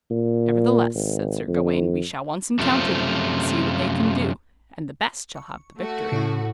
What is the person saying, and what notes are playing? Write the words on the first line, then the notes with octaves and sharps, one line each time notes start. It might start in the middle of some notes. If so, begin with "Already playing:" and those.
Nevertheless, said Sir Gawaine, we shall once encounter them, and see what they can do, and the best shall have the victory.
A#2
G#1
F2
F#2 C3 F3 A3 F4
C#6
A3 F#4
A2 C#3 E4